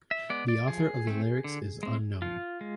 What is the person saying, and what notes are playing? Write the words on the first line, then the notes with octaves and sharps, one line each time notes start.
The author of the lyrics is unknown.
E5
G#3 B3 D5
D5
F3 G#4
A3 C4
D3
G#3 C4
F3 F4
G#3